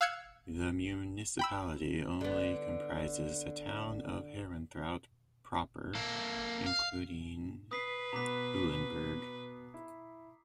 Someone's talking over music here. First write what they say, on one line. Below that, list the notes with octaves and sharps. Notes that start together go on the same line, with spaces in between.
The municipality only comprises the town of Herenthout proper, including Uilenberg.
F5 E6 F#6 G#6 C#7
G5 B5 E6
D3 B3
A#3 A4
F5
B4 D#6 B6 C7
B2 B3 A#5 D6 B6
E4